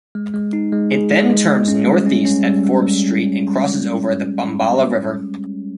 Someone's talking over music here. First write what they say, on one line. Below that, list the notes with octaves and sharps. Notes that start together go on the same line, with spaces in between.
It then turns northeast at Forbes Street and crosses over the Bombala River.
G#3
G#3
D#4
G#3
G#4
G#3
G#3
G#3
C#4
G3
C#4
C#4
G3
G3
G3